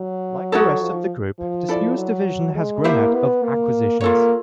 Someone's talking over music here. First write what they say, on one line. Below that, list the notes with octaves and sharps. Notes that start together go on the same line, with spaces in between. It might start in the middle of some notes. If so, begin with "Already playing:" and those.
Like the rest of the group, this newest division has grown out of acquisitions.
Already playing: F#3
D#4 F#4 A4 C#5
F3
F3
E4 A4 D5
F#3
G#3
A#3 E4 G4 C5 E5
B3
A#3
A#3 F4 A4 C#5